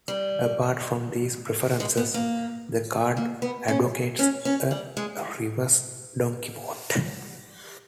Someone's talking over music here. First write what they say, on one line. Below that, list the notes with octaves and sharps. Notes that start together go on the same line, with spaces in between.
Apart from these preferences, the card advocates a reverse Donkey Vote.
G3
G#3
B3
A#3
A#3
B3
C#4
C#4
C#4
G3
G#3